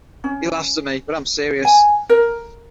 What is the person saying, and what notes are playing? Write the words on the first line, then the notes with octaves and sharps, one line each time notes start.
He laughs at me - but I'm serious.
C#4
G#5
A#4